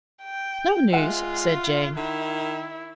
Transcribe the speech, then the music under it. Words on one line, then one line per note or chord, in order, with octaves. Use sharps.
"No news," said Jane.
G5
G#3 F4 E5 F#5
D#3 E4